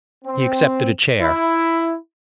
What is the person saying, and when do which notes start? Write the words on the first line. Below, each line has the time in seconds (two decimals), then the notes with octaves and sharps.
He accepted a chair.
0.25 C4
1.20 E4